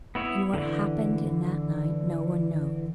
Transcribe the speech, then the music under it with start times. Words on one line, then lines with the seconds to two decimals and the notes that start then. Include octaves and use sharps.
And what happened in that night no one knows.
0.15 B3 E4 C#5
0.54 D3 E3